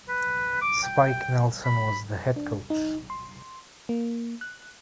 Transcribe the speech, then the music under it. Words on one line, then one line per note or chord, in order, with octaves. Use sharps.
Spike Nelson was the head coach.
B4
D6
G5
B5
D4
D#4
C6
A#3
F#6